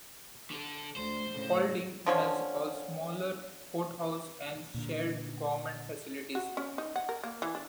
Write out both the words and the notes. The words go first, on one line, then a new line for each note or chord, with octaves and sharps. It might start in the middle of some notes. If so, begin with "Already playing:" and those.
Paulding has a smaller courthouse and shared government facilities.
D3 A4
D2 C5
A2 C#3
D3 F3 C#4
A#2 D3
F#4
C#4
D#4
F#5
A#4
A#3
E3
D4